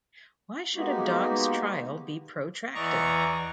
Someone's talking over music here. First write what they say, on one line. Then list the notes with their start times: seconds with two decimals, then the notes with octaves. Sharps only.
Why should a dog's trial be protracted?
0.75 G#3 A#3 B3 D#4 F#4 G4
2.75 E2 E3 D5 D#5 A#5 C#6